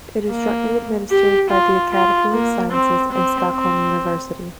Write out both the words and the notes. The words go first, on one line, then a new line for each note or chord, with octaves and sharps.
It is jointly administered by the Academy of Sciences and Stockholm University.
A#3
G4
F4
F4
A#3
C4
C4
C4